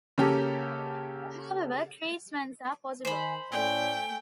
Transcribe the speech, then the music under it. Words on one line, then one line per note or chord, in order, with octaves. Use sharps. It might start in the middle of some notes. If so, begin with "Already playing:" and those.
However, treatments are possible.
C#3 A#3 C#4 G4 A4
D#3 C5 G#5 B5
A2 A3 C#4 D5 G5 G#5